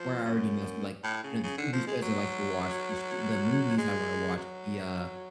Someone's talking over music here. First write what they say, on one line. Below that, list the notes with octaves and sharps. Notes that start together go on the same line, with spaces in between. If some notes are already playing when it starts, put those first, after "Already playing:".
where I already know, so, like, you know, the TV shows I like to watch, the sh the movies I wanna watch, the, uh,
Already playing: F3
F#2
A2
C#3
C#3
D3
F3
G#3
F#3
G#3
F#3